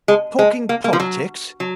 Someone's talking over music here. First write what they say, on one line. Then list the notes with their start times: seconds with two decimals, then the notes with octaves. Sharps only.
"Talking politics?"
0.08 G#3
0.39 G#3
0.69 A#3
0.84 A#3
0.93 F3
1.00 F#3
1.60 F#3